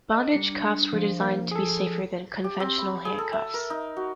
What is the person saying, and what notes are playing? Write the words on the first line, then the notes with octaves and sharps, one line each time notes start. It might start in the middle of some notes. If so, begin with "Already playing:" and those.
Bondage cuffs are designed to be safer than conventional handcuffs.
D#5
G3 D4 A#4 C#7
F3
A#3
G#4 A4
G4
C4
B5
G#4
A4
E5
A#4
D#4
F#4